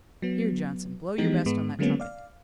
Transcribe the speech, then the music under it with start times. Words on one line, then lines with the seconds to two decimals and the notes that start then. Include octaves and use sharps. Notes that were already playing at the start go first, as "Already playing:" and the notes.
Here, Johnson, blow your best on that trumpet.
0.22 F#3 B3
1.18 E3 F3 G#3 B3 D#4 G4
1.46 G#2 G#3 B3
1.79 D3 F#3 G#3 A#3 B3 C#4
2.00 D5 F5